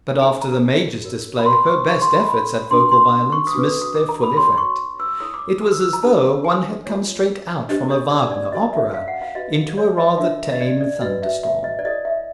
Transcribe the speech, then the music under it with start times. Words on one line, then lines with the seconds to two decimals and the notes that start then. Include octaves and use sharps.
But after the Major's display her best efforts at vocal violence missed their full effect; it was as though one had come straight out from a Wagner opera into a rather tame thunderstorm.
0.21 D#4 G#4 C5 G#5
0.42 A#5
1.04 F#4 A#4 C#5
1.39 B5
1.46 C6
1.67 C#6
1.87 E4 G#4 C#5 C#6
2.02 C6
2.16 B5
2.29 B5
2.71 D4 F#4 A#4 C6
2.92 C6
3.32 C#6
3.47 D#6
3.53 D4 F#4 B4 D6
3.67 D#6
3.82 D#6
3.95 D6
4.09 A#5
4.23 B5
4.37 F#4 A4 C#5 C6
4.58 C#6
5.00 E6
5.20 E4 A4 C#5 D#6
5.34 D6
5.61 D#6
5.72 E6
5.83 E6
5.93 A#5
6.02 D4 G4 A#4 A5
6.44 G#5
6.86 F4 A4 C#5
7.69 D4 G4 C5 D#5
7.91 C#5
8.11 D5
8.31 D5
8.52 C#4 F#4 A4 D#5
8.73 E5
8.94 F5
9.08 F#5
9.22 F5
9.35 F#4 B4 D#5
9.78 C#5
9.98 D#5
10.18 D4 G4 A#4 C#5 E5
10.52 D#5
10.61 D5
10.81 D5
11.01 F#4 B4 D#5
11.22 E5
11.43 E5
11.64 D#5
11.79 D5
11.85 E4 A4 C#5 D#5
12.05 E5